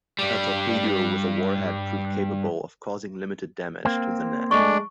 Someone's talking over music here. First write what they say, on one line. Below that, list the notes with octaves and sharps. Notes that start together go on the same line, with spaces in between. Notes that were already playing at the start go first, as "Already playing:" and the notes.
A torpedo with a warhead proved capable of causing limited damage to the net.
G2 G3
A#3 C4
G#3 A3 D4 D5 C#6